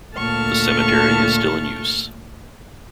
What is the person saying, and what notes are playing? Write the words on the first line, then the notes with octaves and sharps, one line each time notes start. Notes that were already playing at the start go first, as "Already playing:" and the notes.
The cemetery is still in use.
D2 A#2 A4 A5 C#6 F6